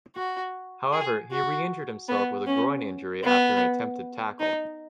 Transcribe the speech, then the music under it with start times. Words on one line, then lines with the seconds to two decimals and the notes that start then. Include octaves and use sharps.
However, he re-injured himself with a groin injury after an attempted tackle.
0.15 F#4
0.92 G#4
1.31 F#4
2.09 B3
2.47 C#4
3.24 B3
4.40 D#4